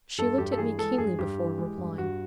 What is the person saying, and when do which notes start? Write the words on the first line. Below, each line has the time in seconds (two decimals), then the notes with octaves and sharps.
She looked at me keenly before replying.
0.18 G2 A4
0.38 G2 G4
0.52 A4
0.58 E3 G#4
0.78 G#3 A4
0.98 G2 G#4
1.19 G2 G4
1.38 E3
1.58 G#3
1.77 G2
1.98 G2 F#4